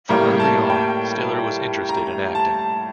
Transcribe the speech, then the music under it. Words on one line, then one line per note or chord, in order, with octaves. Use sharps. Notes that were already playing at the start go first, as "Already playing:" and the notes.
From early on, Stiller was interested in acting.
A2 G3 A#3 A#5
A5
G5
A#5
A5